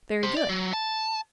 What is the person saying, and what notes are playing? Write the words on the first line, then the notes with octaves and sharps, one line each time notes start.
Very good.
G4 C5
D5
F#3
A5